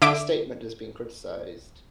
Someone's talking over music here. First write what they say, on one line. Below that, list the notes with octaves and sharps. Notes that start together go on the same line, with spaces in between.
This statement has been criticized.
D3 E5 D6 D7